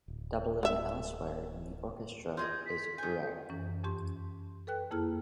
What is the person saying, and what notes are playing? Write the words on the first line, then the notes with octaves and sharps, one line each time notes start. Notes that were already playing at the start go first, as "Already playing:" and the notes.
Doubling elsewhere in the orchestra is rare.
D1
B3 E5
F4 G#4 D#5 G6
B6
D#3 G#5 G6
F#2 E3 C#4
F2 C#4 G4 C6
A4 B4 G5 F#6
F2 A#3 E4 G#4 A5 F6